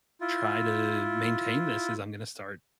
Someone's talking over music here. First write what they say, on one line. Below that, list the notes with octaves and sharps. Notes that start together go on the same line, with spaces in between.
try to maintain this, is I'm gonna start
E4 F4